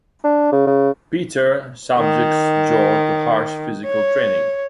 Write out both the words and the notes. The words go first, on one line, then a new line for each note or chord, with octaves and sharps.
Peter subjects Joe to harsh physical training.
D4
C#3
C#3
D#3
C#5